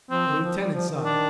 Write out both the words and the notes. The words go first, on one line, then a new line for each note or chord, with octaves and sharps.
The Lieutenant sighed.
F3 C4
D#3
F3
G3
F3
D#3
D4